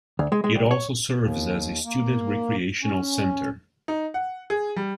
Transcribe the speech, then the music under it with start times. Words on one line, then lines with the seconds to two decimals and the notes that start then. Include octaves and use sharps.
It also serves as a student recreational center.
0.19 D2
0.32 G#3
0.44 G#3
0.55 C2
0.71 C#5
1.20 D#2
1.85 A#3
2.83 C#4
3.88 D#4
4.14 F#5
4.50 G#4
4.76 G3